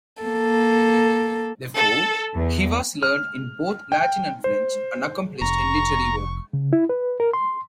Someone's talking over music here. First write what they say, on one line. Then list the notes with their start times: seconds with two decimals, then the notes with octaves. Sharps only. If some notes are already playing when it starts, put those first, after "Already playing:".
Therefore, he was learned in both Latin and French, and accomplished in literary work.
0.22 A#3 A4
1.76 A4
2.35 E2
3.03 F6
3.92 G5
4.44 C5
5.41 F1 A#5 C#6
6.53 C#3
6.73 E4
6.89 B4
7.20 A#4
7.33 C6